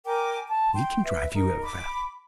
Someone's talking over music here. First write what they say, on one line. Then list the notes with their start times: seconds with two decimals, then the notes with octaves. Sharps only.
We can drive you over.
0.05 A#4 G5 G#5 D6
0.48 A5
0.74 G5 C6
1.03 B4 E5
1.34 D#4 A#4
1.62 B5 D6